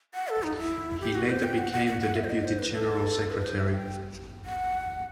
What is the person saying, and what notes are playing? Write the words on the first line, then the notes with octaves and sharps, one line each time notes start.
He later became the Deputy General Secretary.
F#5
A4
D#4
E4
G4
F#4
C5
G5
F#5
F#5
F#5
F#5
E5
C5
D#5
C5
B4
A4
B4
C5
E5
G5
F#5